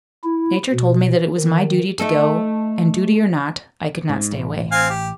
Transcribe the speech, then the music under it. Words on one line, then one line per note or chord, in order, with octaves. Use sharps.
Nature told me that it was my duty to go, and duty or not, I could not stay away.
E4
B2
D#3
A3 D#4 A4
G#2
A1
C4 F5 G#5
G4